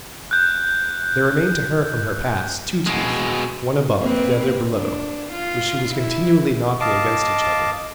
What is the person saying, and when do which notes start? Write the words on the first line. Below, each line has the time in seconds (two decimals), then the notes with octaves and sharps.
There remained to her from her past, two teeth,--one above, the other below,--which she was continually knocking against each other.
0.31 F#6 G6
2.87 B2 G#3
4.00 A#3 C4 B4
4.69 D4
5.32 F4
5.93 E4
6.81 D#5 F5 A5 D6